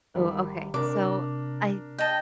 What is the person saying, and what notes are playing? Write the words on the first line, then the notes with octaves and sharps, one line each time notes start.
Ooh, okay. So, I
G#1 D#3 G3
C3 D4 A#4 D6
D#5 G5 A5